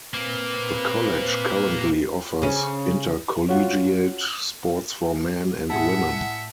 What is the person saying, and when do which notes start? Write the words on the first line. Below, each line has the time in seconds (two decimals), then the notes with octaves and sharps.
The college currently offers intercollegiate sports for men and women.
0.14 A#2 A#3 C4 B4
2.42 C#3 C#4
3.48 C#4 F4 F#4 F#5
5.70 A2 E4 G#4 E5 F#5 A5